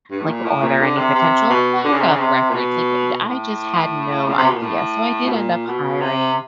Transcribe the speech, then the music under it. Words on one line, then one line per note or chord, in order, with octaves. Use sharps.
like, are there any potential backup records, like, i I just had no idea, so I did end up hiring
G2
A2
A#2
A2
A#2
D3
C3
C3
B2
D3
C#3
C3
C#3
C3
A#2
B2
A2
C#3
C3
B2
A#2
A2
B2
A#2
B2
C3